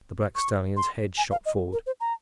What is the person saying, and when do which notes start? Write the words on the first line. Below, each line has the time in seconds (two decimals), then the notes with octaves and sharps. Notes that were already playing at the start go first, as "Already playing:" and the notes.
The black stallion's head shot forward.
0.35 C#6
0.77 C6
1.18 G#5
1.31 F5
1.46 D#5
1.73 A#4
1.86 C5
2.00 A#5